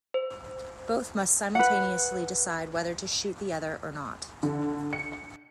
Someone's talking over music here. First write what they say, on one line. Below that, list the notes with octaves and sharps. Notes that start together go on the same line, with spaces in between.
Both must simultaneously decide whether to shoot the other or not.
C5
B4 F#5
D3
C#7